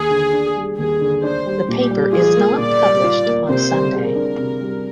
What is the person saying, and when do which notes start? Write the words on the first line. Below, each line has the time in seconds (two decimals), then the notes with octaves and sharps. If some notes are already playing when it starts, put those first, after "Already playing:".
The paper is not published on Sunday.
Already playing: D#2 G#4
0.10 D3
0.33 D4
0.56 G3
0.78 D#2 G#4
1.01 D3
1.23 D4 C5
1.46 G3
1.68 A#2 G4
1.91 G3
2.13 F4 G#4
2.36 A#3
2.58 A#2 D5
2.81 G3
3.04 F4
3.26 A#3
3.49 C3 C5
3.71 G3
3.94 G#4 A#4
4.16 D4
4.38 C3
4.61 G3